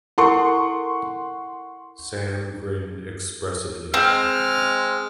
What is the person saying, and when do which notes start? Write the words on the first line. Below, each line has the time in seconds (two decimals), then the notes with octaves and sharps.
Sam grinned expressively.
0.18 E4 A4 A#4 F#5 C6 C#6
3.94 G#3 C4 F6